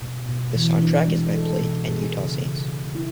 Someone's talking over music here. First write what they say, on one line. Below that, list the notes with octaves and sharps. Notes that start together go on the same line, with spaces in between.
The soundtrack is by Plague and Utah Saints.
B2
B2
E3
D4
G#3
A4
B2
G#4
C#3
C#3
D3
E4